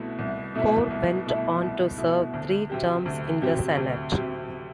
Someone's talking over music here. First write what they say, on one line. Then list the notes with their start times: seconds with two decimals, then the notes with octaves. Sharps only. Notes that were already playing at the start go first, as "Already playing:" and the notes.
Gore went on to serve three terms in the Senate.
Already playing: C2 B2 A3 E4
0.19 C2
0.55 B2 A3 E4
0.91 C2
1.26 B2 A3 E4
1.63 C2
1.98 B2 A3 E4
2.34 D2
2.70 C3 F#3 C4 G4
3.06 D2
3.41 C3 F#3 C4 G4
3.77 D2
4.13 C3 F#3 C4 G4